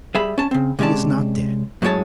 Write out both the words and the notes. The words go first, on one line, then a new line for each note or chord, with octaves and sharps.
He is not dead.
G3 G#4 E5 B5
C#4 A5
C#3 C4
C3 G#3 C#4 D5 A5
F#2 A2 F#3 G#3 C#5 A5